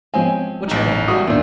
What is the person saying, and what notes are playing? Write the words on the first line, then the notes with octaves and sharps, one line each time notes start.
What's your name?'
F3 G#3 C4 C#4 G#5
A1 D#4
G3 G#3 E4 F#4 D#6
D#2 A#2 A3 D4